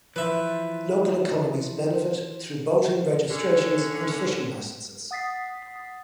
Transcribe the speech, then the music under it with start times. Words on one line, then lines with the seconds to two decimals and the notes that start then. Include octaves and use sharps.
Local economies benefit through boating registrations and fishing licenses.
0.16 E3 F3 B4 E5
3.30 D3 C#4
5.11 F#5 D#6 A6 B6 C7